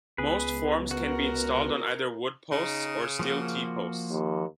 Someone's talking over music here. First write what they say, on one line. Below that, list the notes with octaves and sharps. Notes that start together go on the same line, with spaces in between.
Most forms can be installed on either wood posts or steel t-posts.
C#2 B3 G#4 B4
F#4 A#4
C#3 D#4
F3 A#3 F#4
D#2